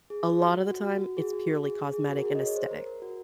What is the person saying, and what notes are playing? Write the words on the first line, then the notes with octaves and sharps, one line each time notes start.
a lotta the time it's purely cosmetic and aesthetic.
G#4
F#4
F#4
F#4
F#4
G#4
F#4
G#4
G#4
F#4
A#4
G#4
D#5
C#5
C5
A#4
A#4
F#4